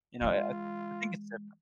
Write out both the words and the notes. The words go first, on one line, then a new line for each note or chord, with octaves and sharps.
you know, I I I think it's different.
E3 G#3 F4